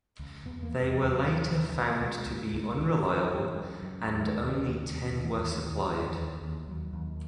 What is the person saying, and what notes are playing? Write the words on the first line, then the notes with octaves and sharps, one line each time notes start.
They were later found to be unreliable, and only ten were supplied.
C#2
E2 B3
A#3
E2
G#3
D#2 F#3
D#2
C#2
C#2
C#2 G#3
C#2
C#2
C#2
C#2 E3
C#2
F#2
F#2
D#2 D#3
D#2
D#2
D#2
D#2 E3
D#2
D#2
D#2
D#2
D#2
D#2 F#3
D#2